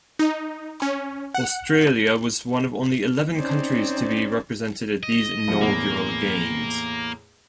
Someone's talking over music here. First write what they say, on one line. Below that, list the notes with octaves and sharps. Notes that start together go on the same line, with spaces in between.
Australia was one of only eleven countries to be represented at these inaugural Games.
D#4
C#4
F#5
C4 C#4 D#4 C5 D5
D#5
C2 F3 C#7
E2 A2 A#3